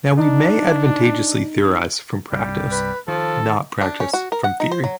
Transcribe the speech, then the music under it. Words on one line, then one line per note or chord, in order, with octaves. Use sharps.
Now we may advantageously theorize from practice, not practice from theory.
D4 D#4
C2 G2 G3
B4
D#3 F3 A4
D4
C#4
F#4
A#4
F#5
D#4
C5
F#3